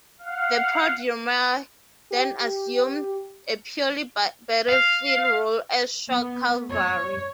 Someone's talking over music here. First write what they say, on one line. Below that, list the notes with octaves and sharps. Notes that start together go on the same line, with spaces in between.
The "prodromoi" then assumed a purely battlefield role as shock cavalry.
F5 F#5
G4
F5
B3
C#5